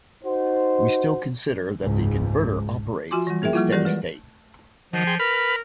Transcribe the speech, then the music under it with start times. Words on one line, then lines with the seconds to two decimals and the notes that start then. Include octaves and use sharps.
We still consider that the converter operates in steady state.
0.24 D#4 F#4 C5
1.80 F#1 C#2 G#2
3.11 F3 F4 F#4 G#5 C6 D6
3.27 E3 G3
3.42 A#3 G#4 A#4 E5 G5
3.53 F3 G3 A#3 E4 F4
3.72 E3 G3 G4 A#4 D5
3.85 G#3 B4
4.93 D#3 F3 F#3
5.07 G#4 G5 C6
5.20 A#4 B4 B5 F6